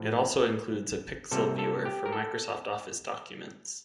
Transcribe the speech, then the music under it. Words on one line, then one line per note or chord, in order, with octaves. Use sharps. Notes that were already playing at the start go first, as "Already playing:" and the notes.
It also includes a Picsel Viewer for Microsoft Office documents.
Already playing: A2 F3
C3 G3 A#3 A4
A4
G4
A#4
A4